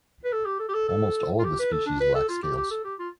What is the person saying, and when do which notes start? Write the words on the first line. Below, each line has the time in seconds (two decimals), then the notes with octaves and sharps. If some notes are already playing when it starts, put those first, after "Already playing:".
Almost all of the species lack scales.
0.24 B4
0.32 A4
0.45 G4
0.60 A4
0.69 G4
0.74 A4
0.88 A4
1.39 F4
1.45 G4
1.59 B4
1.72 A4
1.87 D4
2.01 B4
2.15 A4
2.29 F4
2.43 G4
2.56 G4
2.71 A4
2.85 G4
2.99 F4